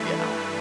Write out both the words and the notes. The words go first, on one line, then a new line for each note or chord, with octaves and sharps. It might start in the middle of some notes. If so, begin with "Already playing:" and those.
you know?
Already playing: G2 E3 A3 B4